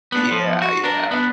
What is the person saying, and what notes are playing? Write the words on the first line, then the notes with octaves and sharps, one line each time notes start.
Yeah, yeah.
B3 D4
F3
F#4
D4 A#4
B3 D4